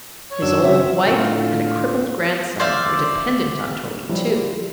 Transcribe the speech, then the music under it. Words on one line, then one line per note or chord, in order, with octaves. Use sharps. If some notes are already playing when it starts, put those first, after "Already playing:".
His old wife and a crippled grandson were dependent on Toby, too.
C#5
F#2 D4 E6
C#3 C4 E5
A2 D3 F4
C5 D5 E5 F5
F3 G3 E4